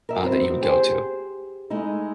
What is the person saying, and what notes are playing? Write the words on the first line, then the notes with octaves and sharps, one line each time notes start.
uh, that you would go to?
A#4 E5
B3 C4 E4 F#4
G4 G#4 C5
G#3 A3 D#4 E4